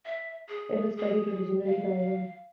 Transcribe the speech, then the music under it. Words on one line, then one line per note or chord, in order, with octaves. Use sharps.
It was studied originally by him.
E5
G#4
G#4
F5